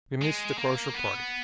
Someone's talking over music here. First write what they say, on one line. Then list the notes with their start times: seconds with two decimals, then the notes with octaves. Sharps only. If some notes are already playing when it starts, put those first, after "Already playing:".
We miss the Crozier Party.
0.22 G#3
0.59 A#3
0.94 B3